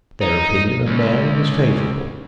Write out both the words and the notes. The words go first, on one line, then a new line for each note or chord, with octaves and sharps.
Their opinion of Mary was favourable.
D#4
C#2